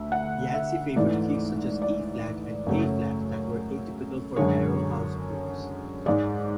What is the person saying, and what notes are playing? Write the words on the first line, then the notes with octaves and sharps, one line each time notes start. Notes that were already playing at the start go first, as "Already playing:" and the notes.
Yancey favored keys-such as E-flat and A-flat-that were atypical for barrelhouse blues.
Already playing: D2 E5
F#5
E5
G#2 E3 A3 D5
D5
F#2 C#3 F#3 A3
F#2 D3 G#3 C#5
G#2 G#3 D5